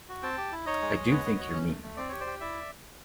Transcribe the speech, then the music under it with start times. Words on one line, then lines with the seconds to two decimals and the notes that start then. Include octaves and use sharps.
I do think you’re mean.
0.09 F#4
0.22 C4 G5 A5
0.38 G4
0.52 E4
0.66 D#4 C#5 D#5
0.82 G#3
0.96 G#3
1.11 B3
1.25 B3
1.40 F#4
1.54 C#4
1.68 A3
1.82 A3
1.97 C4 D5
2.09 G4 C#5
2.21 C5 D5
2.27 G4
2.40 E4 D5 E5